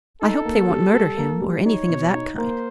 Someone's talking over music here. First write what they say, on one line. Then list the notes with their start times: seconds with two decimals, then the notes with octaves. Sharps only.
I hope they won't murder him, or anything of that kind.
0.22 D#4 A4
0.45 A#3
0.69 G3
0.94 G3
1.17 A#3
1.41 G3
1.65 D#4 C#5
1.89 B2
2.15 D#4
2.38 A#3 C5